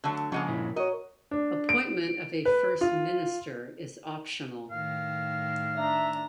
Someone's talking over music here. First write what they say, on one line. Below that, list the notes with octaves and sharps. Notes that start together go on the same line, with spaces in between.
Appointment of a First Minister is optional.
D3 F#3 A3
C#3 F3 G#3 A#3 F#5 A5
A#2 E4
F#4 A#4 C#5 D#5
D4
D7
B4
F4
A2 D#3 F5
D4 E5 A#5